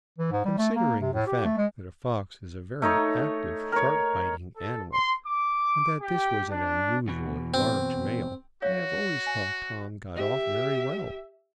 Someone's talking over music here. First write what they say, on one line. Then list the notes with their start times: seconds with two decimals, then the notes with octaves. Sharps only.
Considering the fact that a fox is a very active, sharp-biting animal, and that this was an unusually large male, I have always thought Tom got off very well.
0.19 E3
0.32 G#2
0.45 G3
0.58 A3
0.75 A#3
1.01 C3
1.13 A2
1.27 G4
1.45 A3
1.58 G#3
2.82 A3 D#4 C#5
3.72 A#4 C#5
4.55 A4
4.91 C6
5.25 D6
5.99 G4
6.49 D4
7.08 E2 B2
7.54 C4
8.62 F#4 C#5 F5
9.27 G#5
10.15 G4 E5